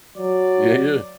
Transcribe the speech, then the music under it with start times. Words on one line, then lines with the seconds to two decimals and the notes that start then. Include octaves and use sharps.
Yeah, yeah.
0.18 F#3 D5